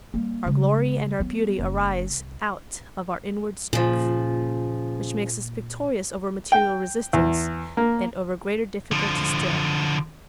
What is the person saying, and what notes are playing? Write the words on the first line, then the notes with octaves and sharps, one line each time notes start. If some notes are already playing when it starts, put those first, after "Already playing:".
Our glory and our beauty arise out of our inward strength, which makes us victorious over material resistance, and over greater difficulties still.
G3 A#3
C#3 G#3
F#3 B3
F#1
C2
A#2 C#3 F3
G5
E2
A#3
D3 F3